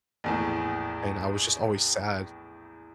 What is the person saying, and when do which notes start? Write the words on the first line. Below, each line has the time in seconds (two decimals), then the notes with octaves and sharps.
and I was just always sad,
0.24 A#1 E2 A2